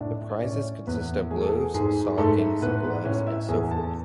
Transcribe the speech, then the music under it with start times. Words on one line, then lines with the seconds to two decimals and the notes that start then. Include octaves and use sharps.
The prizes consist of loaves, stockings, gloves, and so forth.
0.01 A2 D4 D5
0.39 D5
0.43 A2 C#4 C#5
0.87 E2 B3 B4
1.30 A3 G#4
1.41 A4
1.50 G#4
1.74 G#2 G#4
2.18 G#2 A3 A4
2.62 A2 B3 B4
2.83 B3 B4
3.05 A2 C#4 C#5
3.27 E4 E5
3.48 E2 G#4 G#5
3.71 A4 A5